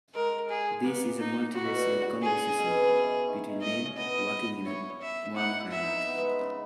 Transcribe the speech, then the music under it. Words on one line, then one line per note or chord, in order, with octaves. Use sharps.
This is a multiracial conversation between men walking in a warm climate.
G#3 A#4
G#4
A#3 B3
D#4
C#3 F#4
B2
A#2
C#3
G#4
B2
E3
C#3
B2
D#3
D#5
C#4
B3 D#5
E4 C#5
E5
D#4 F#5
E4
E4
E4 E5
D#4
D#4
B3
G#3
C#3